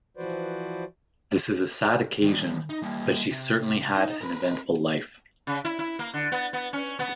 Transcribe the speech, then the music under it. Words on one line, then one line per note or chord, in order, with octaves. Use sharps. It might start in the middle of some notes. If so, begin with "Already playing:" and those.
This is a sad occasion, but she certainly had an eventful life.
E3 F3 F#4 B4 C5 D5
D#3 G3
D#4
G3 A#3
C3
D#4 D#5
A#4 B4
C#3
E4
E4
A#3
D3
B3
B3
C#4
B3